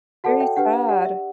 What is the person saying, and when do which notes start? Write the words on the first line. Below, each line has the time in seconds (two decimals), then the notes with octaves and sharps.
very sad.
0.24 F#4 A4 D5 F#5 A5
0.40 E5 G5
0.57 D4 G4 B4 F#5
0.73 E5
0.89 G4 D5 F#5
1.05 E5